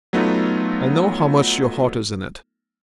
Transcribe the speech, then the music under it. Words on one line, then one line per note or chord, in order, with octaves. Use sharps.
I know how much your heart is in it.
F#3 A3 B3 D#4 F4 A4